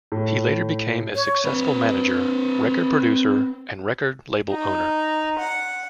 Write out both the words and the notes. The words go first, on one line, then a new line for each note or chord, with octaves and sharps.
He later became a successful manager, record producer and record label owner.
A2
C#5
C4 B4
D#4
F#5